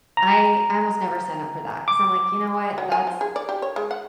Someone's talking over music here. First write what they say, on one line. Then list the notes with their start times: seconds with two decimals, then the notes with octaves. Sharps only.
I I almost never sign up for that 'cause I'm, like, you know what? That's
0.17 A#5
1.88 D6
2.78 F#3
2.92 G#5
3.07 F3
3.21 G#4
3.36 D5
3.49 G4
3.62 C#5
3.76 G#3
3.91 F#5